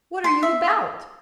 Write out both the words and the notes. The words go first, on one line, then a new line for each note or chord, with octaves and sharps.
What are you about?'
C6
E5